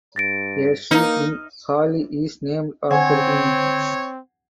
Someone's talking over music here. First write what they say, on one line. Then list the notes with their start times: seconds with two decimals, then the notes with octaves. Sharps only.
A street in Halle is named after him.
0.16 G2 A6 A#6 D7
0.91 A#3 D#4 B4 D#5 A#5 F6
2.91 D3 C4 C5 C#5 F#5 G#5 G#6